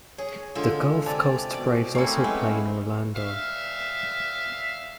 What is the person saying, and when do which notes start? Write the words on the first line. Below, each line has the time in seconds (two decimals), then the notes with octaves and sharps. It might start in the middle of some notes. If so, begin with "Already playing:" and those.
The Gulf Coast Braves also play in Orlando.
0.18 G#4 C#5
0.55 D3 G#3 F4 A4
1.06 C3 D5 G#5 A5 F7
1.54 B2 D5
1.95 A3 A#3 C4 C#4 E4 C7 C#7
2.24 G#3 B3 B4
3.16 E5 F5